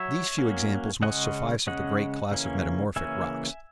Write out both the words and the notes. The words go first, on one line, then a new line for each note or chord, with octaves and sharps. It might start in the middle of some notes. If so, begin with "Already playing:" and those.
These few examples must suffice of the great class of metamorphic rocks.
Already playing: F#3 C#5 E5
F#3 A#3 C#4
C#3 G#3 C#4 D#5 F#5
C#3 G#3 C#4 D#5 F#5
C#3 E3 A#3 C#4
C#3 E3 A#3 C#4 E5 G#5